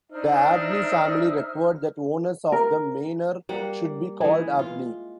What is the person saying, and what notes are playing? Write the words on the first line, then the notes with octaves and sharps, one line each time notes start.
The Abney family required that owners of the manor should be called Abney.
D4 D#4 C5 E5 F6
A#4
G3 A#3 F#5
E3 G#3
F4